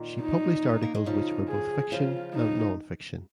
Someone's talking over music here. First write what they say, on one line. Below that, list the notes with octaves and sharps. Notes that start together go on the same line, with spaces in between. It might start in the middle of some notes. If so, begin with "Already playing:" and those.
She published articles which were both fiction and nonfiction.
Already playing: A#2 D#3
D#4
A#3
G#3
C#3 F3 D#4
G#4
C#3 F3 F4
D#4